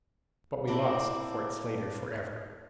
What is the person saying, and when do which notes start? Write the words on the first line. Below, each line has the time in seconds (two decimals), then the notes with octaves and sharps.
But we lost Fort Slatter forever.
0.67 A#3 C4 D4 E4